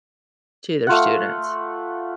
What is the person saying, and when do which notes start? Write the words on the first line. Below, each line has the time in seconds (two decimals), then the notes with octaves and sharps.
to their students.
0.87 A3 F4 F#5